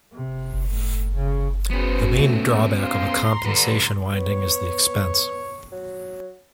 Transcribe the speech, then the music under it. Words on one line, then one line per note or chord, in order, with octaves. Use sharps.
The main drawback of a compensation winding is the expense.
C3
A2
C#3
F#3 B3 C#4 G#4 B4 C5
A3
G#4 C5 F5 A#5 C6
D3 G3 B4
B3 C#5
F#3